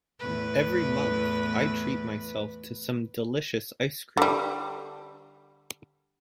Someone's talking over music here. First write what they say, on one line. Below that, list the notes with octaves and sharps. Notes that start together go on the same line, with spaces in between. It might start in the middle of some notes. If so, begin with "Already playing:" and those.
Every month, I treat myself to some delicious ice cream.
E2 A2 B4
D3 G3